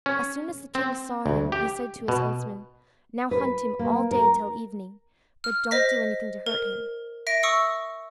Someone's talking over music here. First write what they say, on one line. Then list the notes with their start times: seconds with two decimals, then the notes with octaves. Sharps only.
As soon as the king saw him, he said to his huntsmen, "Now hunt him all day till evening, but don't do anything to hurt him."
0.06 C#4
0.75 C4
1.26 D2
1.52 G4
2.08 B2
3.31 B4
3.79 A#3
4.11 A#4
5.44 F6
5.71 C5 D#5 A#6 B6
6.46 A#4
7.27 E5 A#6 D7
7.43 C#6 D#6 E6 C#7